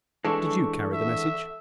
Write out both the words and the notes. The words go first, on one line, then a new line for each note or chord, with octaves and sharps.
"Did you carry the message?"
E3 G#3 D4 A4 C#6
E5